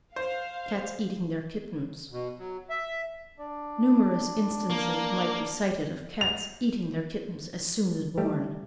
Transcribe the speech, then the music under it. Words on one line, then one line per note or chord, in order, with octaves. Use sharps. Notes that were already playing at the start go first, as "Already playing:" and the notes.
CATS EATING THEIR KITTENS.--Numerous instances might be cited of cats eating their kittens as soon as born.
C5 F5
B2
F#3
E5
D4 D5
A#3
F7
G3 A3 G4